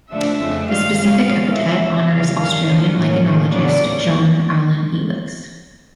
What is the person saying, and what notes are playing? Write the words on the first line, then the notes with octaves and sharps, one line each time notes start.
The specific epithet honours Australian lichenologist John Alan Elix.
D3 F3 A3 D4 E5
F2 C#3 F3 A3
G2 D#3 G3 F5
F#2 C#3 F3 G#3 F5
A#2 F3 G#3 B3
B2 G#3 C#4 E5
E2 C3 E3
C#3 E3 G3 F5
G2 D#3 G3 F5
D3 F3 A#3 C#4
A2 F#3 A#3 C#4
C#3 F3 A3
E2 C#3 F#3 B3 D4 D5
A#2 G3 A#3 C#4